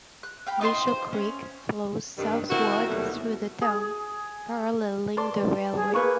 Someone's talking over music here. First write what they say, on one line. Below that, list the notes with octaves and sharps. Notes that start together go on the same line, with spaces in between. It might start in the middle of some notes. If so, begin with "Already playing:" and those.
Lichau Creek flows southward through the town, paralleling the railway.
F#6
F5 G5 B5
D#4 F4 C5 C6
C5
C#4
G2 C3 D#3 G3
C3 D#3 E4 F#4
D#2 B2 F#3 G3 A3
G#4
D5 A5 C6
G#4
A#3 B4 C#6